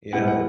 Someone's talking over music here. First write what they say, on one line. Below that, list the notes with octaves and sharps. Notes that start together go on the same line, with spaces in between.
you know.
A2 G3 B3 E4 F#5
F#5